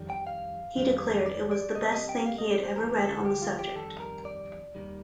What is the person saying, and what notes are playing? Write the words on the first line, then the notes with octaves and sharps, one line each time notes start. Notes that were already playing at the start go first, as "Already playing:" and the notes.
He declared it the best thing he had ever read on the subject.
Already playing: F2 D#3 G3
G5
F5
F2 D#3 G3
D5
D5
C2 C3 G3 D#5
D#5
G5
F5
D#5
D5
C5
D2 D3 F3 A#4
A4
G4
F4
G4
F2 D#3 G3 A4
A#4
D5
D#2 D#3 G3